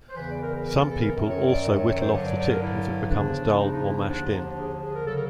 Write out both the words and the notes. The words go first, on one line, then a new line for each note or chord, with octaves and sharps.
Some people also whittle off the tip if it becomes dull, or mashed in.
C5
E2 C#3 E3 B4
D5
A#4
A#4
A#4
A4
A4
A#4
F#2 D#3 F#3
C#5
D5
C#5
C#5
C5
G2 D3 F#3 C#5
D5
D5
A#4
E4
E2 C#3 F3 D4
E4
D#4
D#4
E4
D#4
D#2 D3 F3 D4
D#4
D4
G#4
G#4
A#4
C#3 F#3 A4
A#4